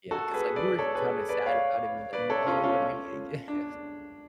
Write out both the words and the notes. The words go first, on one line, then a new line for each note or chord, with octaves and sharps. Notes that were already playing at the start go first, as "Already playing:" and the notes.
Yeah. 'Cause like we were kind of sad about it, we were like, "No, we're not gonna get gifts."
F#4 A4
G#4 B4
B4 D5
A4 C#5
G#4 B4
B4 D5
C#5 F5
B4 D5
A4 C#5
C#4 F4
C#4 F4
D4